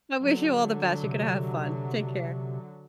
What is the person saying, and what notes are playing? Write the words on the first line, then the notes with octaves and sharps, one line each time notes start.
I wish you all the best, you gonna have fun. Take care.
D3 F#3
C3